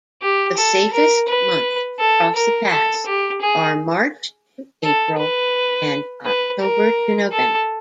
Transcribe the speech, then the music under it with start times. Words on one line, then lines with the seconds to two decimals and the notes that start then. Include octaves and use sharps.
The safest months to cross the pass are March-April and October-November.
0.22 G4
0.57 A4
0.93 A#4
1.28 B4
1.99 A4
2.35 A#4
2.70 A4
3.06 G4
3.41 G#4
4.84 A4
5.19 B4
6.25 B4
6.61 A#4
7.32 A4